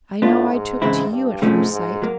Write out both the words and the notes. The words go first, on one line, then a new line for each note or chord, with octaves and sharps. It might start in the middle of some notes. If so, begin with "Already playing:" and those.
I know I took to you at first sight!
A2 B3 D4 F4
G#2
C#3 E3 G#3 C4 E4
G2
G#2 C3 F3 A3 C#4
G#2
F#3 A#3